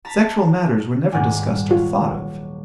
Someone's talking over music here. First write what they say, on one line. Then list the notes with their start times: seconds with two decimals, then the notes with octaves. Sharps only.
Sexual matters were never discussed or thought of.
0.05 A5 A#5 B6
1.12 D#1 G#2 F#5 G#5
1.42 G3
1.71 F#3 F4